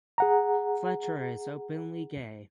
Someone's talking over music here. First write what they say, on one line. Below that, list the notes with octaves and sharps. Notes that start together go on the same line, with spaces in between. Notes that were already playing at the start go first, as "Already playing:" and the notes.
Fletcher is openly gay.
G#4 F#5 A#5